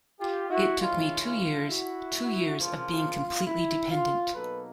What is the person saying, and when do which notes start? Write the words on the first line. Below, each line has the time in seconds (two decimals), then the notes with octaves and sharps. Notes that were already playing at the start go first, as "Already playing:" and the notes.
It took me two years; two years of being completely dependent.
0.20 F4 G4
0.49 E4 F#4
0.79 D#3 G#3 C#4 E4 F4
1.24 F4
1.67 E4 F#4
2.56 C#3 F3 A#3 F4
3.45 E4
3.90 F4
4.34 B2 F#3 A#3 D#4 A4 B4